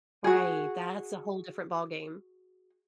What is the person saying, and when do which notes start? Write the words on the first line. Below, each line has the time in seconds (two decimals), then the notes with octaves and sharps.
Right, that's a whole different ballgame.
0.24 F#4 G#4